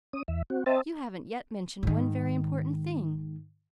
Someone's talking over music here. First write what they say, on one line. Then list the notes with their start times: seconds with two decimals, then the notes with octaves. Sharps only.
You haven't yet mentioned one very important thing.
0.13 C#4 D#6
0.28 E2 E5
0.50 C4 F#4
0.66 C4 D#5 E5 A5
1.83 G#2 D#3